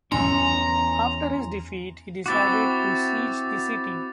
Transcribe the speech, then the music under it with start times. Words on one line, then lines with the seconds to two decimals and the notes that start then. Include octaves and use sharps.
After his defeat he decided to siege the city.
0.12 E2 C#4 G#5 A#5 C6
2.26 C4 E4 F#4 D6 A6